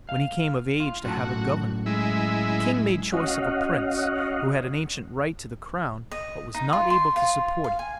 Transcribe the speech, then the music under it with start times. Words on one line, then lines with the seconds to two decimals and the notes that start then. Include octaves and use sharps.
When he came of age to have a governor, the king made choice of a prince who had an ancient right to the crown, but was not able to support it.
0.09 F5
0.80 F4
1.04 F#2 A2 F#4 A5
1.86 G#3 E4
3.12 C#4 F#4 D#5 F5 F#5
6.11 D#5
6.54 D#4
6.73 F4
6.90 C6
7.16 F4
7.64 F5
7.79 G#5